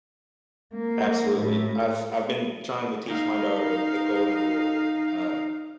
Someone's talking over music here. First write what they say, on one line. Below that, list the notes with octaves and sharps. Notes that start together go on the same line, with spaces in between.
Absolutely. I've I've been trying to teach my daughter the golden rule. Uh,
A#3
A2
D#4 F5